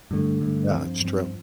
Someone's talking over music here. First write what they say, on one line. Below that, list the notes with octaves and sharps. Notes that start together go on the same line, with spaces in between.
Yeah, it's true.
G2 D3 A3
G2 D3 A3
G2 F3 C4
G2 F3 C4